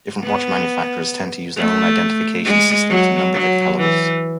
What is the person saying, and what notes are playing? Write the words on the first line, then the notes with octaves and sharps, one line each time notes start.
Different watch manufacturers tend to use their own identification system to number their calibers.
B3
A3
G#3
F#3
F#3
E3